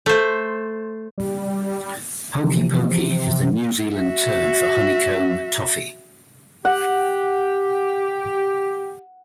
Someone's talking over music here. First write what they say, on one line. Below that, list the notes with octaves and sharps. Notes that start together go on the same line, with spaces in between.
Hokey pokey is the New Zealand term for honeycomb toffee.
A3 C5
G3
C3 E3 F3
F#4 E5
G4 F#5